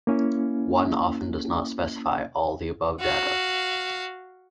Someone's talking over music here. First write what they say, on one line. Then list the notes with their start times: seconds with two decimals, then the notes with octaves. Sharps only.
One often does not specify all the above data.
0.07 A#3 C#4 E4
3.00 F#4 F5